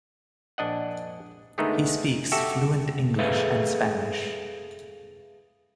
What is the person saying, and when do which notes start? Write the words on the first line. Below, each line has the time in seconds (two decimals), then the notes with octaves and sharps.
He speaks fluent English and Spanish.
0.58 A#1 D4 D#5 F#5
1.58 D3 D#3 G#3 A3 B3 D#4
2.32 F#4 G4 A4 E5
3.19 G#4 A4 B4 E5 F5